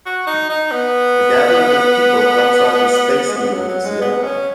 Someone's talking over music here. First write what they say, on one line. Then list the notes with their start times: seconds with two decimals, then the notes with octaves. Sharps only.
A gathering of people outside of the Space Needle in Seattle.
0.06 F#4
0.27 D#4
0.49 D#4
0.71 B3
3.28 G#3
3.36 B3
3.53 F#3
3.69 F#3
3.86 G#3
4.02 B3
4.24 C#4